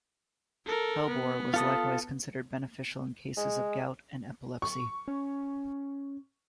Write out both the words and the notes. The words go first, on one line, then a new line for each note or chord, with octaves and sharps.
Hellebore was likewise considered beneficial in cases of gout and epilepsy.
A4 A#4
B3
F4 A4 D#6
G#3
C#6
C#4